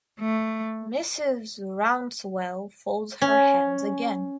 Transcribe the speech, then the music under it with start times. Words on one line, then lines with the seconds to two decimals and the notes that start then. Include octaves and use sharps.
Mrs. Rouncewell folds her hands again.
0.20 A3
3.22 C#4